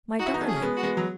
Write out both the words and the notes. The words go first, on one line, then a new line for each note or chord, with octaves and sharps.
"My darling!"
D#4 F#4
E4
B3 D#4
A3 C#4
G#4
C#4
G#3 B3
F#4
G#3 B3
F#3